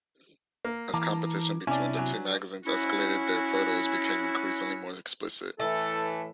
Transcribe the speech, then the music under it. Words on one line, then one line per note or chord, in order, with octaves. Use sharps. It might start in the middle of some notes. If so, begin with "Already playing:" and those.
As competition between the two magazines escalated, their photos became increasingly more explicit.
A#3
E3 A5 A#5 D6
C3 C#4 D4 E4 D5 G#5
F#3
C#4 E4 F#4
A2 E3 A3 A4